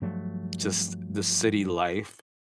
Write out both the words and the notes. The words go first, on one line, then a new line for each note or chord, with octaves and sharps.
just the city life,
G2 F3 F#3 A3